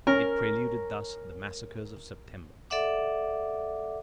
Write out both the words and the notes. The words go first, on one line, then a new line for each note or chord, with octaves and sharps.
It preluded thus the massacres of September.
C#4 A#4
A4 D5 E5 F#5 D6